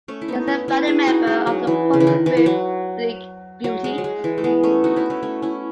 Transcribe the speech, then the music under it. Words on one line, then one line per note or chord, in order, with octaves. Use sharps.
He is the founding member of the publishing group Bleak Beauty.
A3 C#4
E4
B3 D#4
C#4 E4
C#4 E4
E4 G#4
D#4 F#4
G#3
F#3
E3
C#3
E3
D#3
E3
E3
F#3
F#3
G#3
F#3
G#3
E3
A3
G#3 B3
A3 C#4
D#4 F#4
C#4 E4
A3 C#4
A3 C#4
C#4 E4